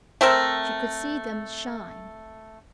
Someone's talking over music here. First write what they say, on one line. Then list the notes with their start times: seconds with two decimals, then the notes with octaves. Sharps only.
She could see them shine.
0.21 A3 C4 A#4 E5